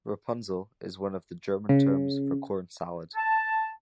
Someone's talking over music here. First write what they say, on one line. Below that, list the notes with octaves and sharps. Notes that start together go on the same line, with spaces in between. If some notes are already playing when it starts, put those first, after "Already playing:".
'Rapunzel' is one of the German terms for corn salad.
C#3
A5